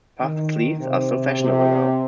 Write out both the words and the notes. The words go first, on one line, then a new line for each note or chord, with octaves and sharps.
Puffed sleeves are so fashionable now.
D#3
C3
C3